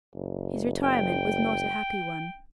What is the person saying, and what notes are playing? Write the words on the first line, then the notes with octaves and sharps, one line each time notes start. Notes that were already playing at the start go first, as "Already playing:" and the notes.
His retirement was not a happy one.
F#1
G5